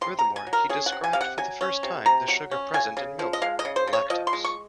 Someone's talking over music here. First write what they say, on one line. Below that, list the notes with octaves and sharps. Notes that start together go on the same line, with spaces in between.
Furthermore, he described for the first time the sugar present in milk, lactose.
C3 C6
A#5
C3
G#5
F#3
A#4
C#4 G#4
F#5
C3
G#5
C3 F5
F#5
F#3 G#5
C#4
C3
C3 A#5
F#3
C#4
C#3 G#5
C#3
F3
D#5
G#3 F5
D#5
C#3
C5
C#3
C#5
F3 D#5
C6
G#3
C#6